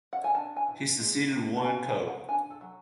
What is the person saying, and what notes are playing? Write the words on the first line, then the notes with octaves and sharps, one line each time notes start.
He succeeded Warren Keogh.
F#5
G#5
D4 A5
G#5
E3
G#3
G#3
F#5
C#4 G#5
G#5
F#3
F#5
D4 G#5
A4
F#3